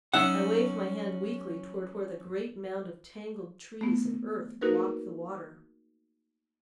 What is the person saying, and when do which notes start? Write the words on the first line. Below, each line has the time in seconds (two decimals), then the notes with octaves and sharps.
I waved my hand weakly toward where the great mound of tangled trees and earth blocked the water.
0.14 F#3 C#4 D#4 E5 F#5
3.81 A3 B3
4.61 A#3 D#4 F#4 G#4 A#4 B4